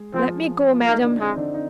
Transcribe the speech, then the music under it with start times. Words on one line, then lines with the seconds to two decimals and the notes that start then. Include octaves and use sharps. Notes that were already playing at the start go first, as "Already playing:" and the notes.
"Let me go, madam."
Already playing: G#3 G#4
0.14 F3 C4 F4
0.73 F4
0.84 A#3 D#4
1.02 D3 D4
1.20 G#3 C4
1.32 D#4
1.37 D3 D4
1.54 D#4